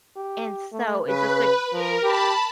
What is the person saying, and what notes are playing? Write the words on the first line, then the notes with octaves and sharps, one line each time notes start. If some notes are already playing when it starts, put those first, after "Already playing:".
and so is this a c
G4
A3
C#3 B4
F3 A#4
G4 A5 B5